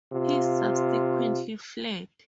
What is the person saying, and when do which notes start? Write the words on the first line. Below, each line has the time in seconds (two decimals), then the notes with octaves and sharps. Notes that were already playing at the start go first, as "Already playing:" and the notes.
He subsequently fled.
0.13 C3 F4